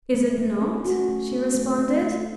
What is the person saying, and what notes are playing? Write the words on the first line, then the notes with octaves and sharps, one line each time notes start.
"Is it not?" she responded.
A3
A3
C#4
F#4
A3
C#4
A3
A3
A3